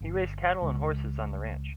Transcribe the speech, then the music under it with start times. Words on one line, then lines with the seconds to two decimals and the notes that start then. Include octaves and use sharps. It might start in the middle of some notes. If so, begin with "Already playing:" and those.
He raised cattle and horses on the ranch.
0.01 G1
0.62 C#2